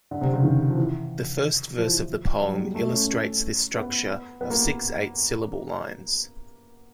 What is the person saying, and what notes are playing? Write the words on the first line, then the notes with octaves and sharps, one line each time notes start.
The first verse of the poem illustrates this structure of six eight-syllable lines.
D3
C3
C#3
D#3
F3
E3
F3
E3
F3
F#3
G3
G#3
A3
C#4
B3
B3
A#3